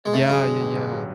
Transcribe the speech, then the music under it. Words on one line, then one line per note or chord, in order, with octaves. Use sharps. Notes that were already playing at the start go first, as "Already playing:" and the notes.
Yeah, yeah, yeah.
G#3
G2 A3
F#3 G#3
D3
A1
G2
F#3